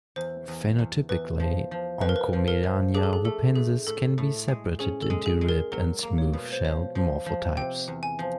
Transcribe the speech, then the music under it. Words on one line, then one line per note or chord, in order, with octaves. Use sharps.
Phenotypically, "Oncomelania hupensis" can be separated into ribbed- and smooth- shelled morphotypes.
E2 C5
E2
E2
E2 B4
F3
F3
F3 B4
A#4
B4
F3
A#4
F3
D4 G#4
A4
G#4
A3 A4
A2 G#4
A2 A4
A2
G#3
C#4 G#4
A4
G#3
G#4
G#3
A#4
F#3 A#4
A#3
C#5
B2
C5
F3 C#5
F3
F3
C3 G5
E2
G#5
F3